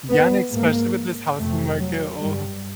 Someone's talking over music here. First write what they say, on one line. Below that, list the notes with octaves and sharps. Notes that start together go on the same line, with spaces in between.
Yeah, and especially with this housing market, oh
B3
G#2 A#3
F2 C3 A3
F#3
G2 G3